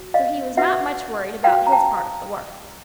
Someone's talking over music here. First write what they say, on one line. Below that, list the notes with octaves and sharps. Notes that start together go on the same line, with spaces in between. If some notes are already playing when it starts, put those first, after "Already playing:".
So he was not much worried about his part of the work.
Already playing: F#4
D#5 F5
F#4 B4 E5 F#5
F#4 B4 F5 G5
A#5
G5 A5